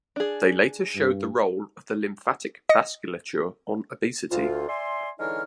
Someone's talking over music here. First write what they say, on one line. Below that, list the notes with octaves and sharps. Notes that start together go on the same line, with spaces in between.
They later showed the role of the lymphatic vasculature on obesity.
D4 G#4
G2
D#5 A#6 C#7
D2 F4
D5 E5 G#5 C6
D3 E3 G#3 D#4 C#5 F6